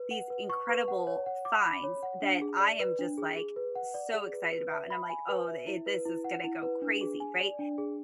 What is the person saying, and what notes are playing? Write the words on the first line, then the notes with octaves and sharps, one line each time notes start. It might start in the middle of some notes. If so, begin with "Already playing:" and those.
these incredible finds that I am just, like, so excited about, and I'm like, "Oh, i this is gonna go crazy," right?
Already playing: B4
F#5
B4
C#6
B4
F#5
C#5
F#5
D6
B5
C#5
F#5
D4
G#4
D5
B4
D4
G#4
G#4
B4
F#5
D5
G#4
B4
B4
E5
B5
G#5
B4
E5
E4
B4
E4
F#5
E4
B4
D4
G#4
G#5
D5
D4
G#4